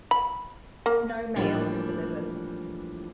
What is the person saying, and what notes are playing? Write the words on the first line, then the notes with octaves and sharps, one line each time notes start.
No mail is delivered.
B5
A#3
A2 E3 F3 G3 A#3 D4